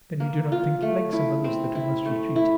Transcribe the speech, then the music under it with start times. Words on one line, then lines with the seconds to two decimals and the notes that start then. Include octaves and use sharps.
"Then you do not think, like some others, that we must retreat?"
0.20 A#3
0.52 F4
0.82 A3
1.13 E4
1.44 C4
1.75 E4
2.06 A3
2.36 E4